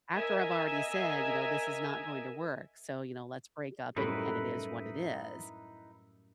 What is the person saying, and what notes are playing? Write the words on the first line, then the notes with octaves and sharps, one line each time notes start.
after I've already said, you know, "This is not going to work." So, you know, "Let's break up and and it is what it is."
A#4 D#5 E5 G#5 E6 G#6
F#2 A2 G3 D#4 E4 B4